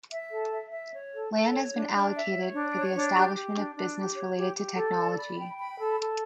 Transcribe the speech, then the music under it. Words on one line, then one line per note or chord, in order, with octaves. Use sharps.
Land has been allocated for the establishment of business related to technology.
E5
A4
E5
E5
C#5
A4
A4
C#5
D4
D4
E5
C#5
D4
C#5
D4
G4
G4
D4
D4
G4
C#5
G4
G4
A4
D5
B5
G5
B5
A4
A4